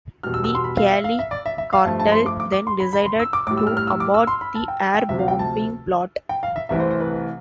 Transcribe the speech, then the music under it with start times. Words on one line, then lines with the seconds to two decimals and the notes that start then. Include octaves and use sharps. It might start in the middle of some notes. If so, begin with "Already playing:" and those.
The Cali Cartel then decided to abort the air bombing plot.
0.23 E2 B2 G3 F6
0.34 E6
0.44 E6
0.55 C6
0.64 B5
0.78 F5
0.92 E5
1.04 F5
1.19 E5
1.31 D5
1.46 E5
1.58 E5
1.73 F5
1.85 G2 F3 A3 A5
2.00 A5
2.12 C6
2.26 D6
2.40 D6
2.52 D6
2.67 C6
2.80 B5
2.93 B5
3.06 C6
3.20 E6
3.33 D6
3.47 A2 D6
3.51 G3
3.57 E6
3.67 F6
3.77 F6
3.87 E6
4.00 D6
4.14 E6
4.27 C6
4.41 B5
4.55 A5
4.68 G5
4.94 G5
5.08 D2 C3 F3 A3 E5
5.19 F5
5.28 G5
5.39 A5
6.29 G5
6.43 F5
6.56 E5
6.69 C2 C3 E3 A3 E5
6.80 C5
6.91 C5
7.00 B4